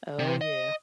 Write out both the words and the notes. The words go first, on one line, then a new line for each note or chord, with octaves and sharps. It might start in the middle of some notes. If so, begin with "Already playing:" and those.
Oh, yeah.
C3
D#5